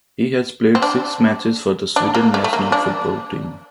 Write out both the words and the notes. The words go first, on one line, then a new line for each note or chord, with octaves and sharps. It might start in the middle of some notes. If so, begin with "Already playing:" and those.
He has played six matches for the Sweden national football team.
C4
D4
D4
A#3
A3
A3
A#3
D4